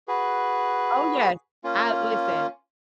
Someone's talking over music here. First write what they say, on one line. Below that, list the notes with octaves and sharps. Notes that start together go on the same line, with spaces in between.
Oh, yes. I listen,
F#4 G#4 B4
A#3 C#4 F4